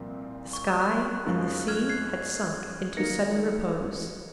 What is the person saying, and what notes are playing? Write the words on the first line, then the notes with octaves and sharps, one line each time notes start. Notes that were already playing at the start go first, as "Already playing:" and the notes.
The sky and the sea had sunk into sudden repose.
Already playing: C2 A#2 F3 C4
C#6
D#6
F#6
F#2 F3 G#3 D#4
F#6
F6 G#6
G#6 C7
D#3 A#3 D#4 A#4 A#6 C#7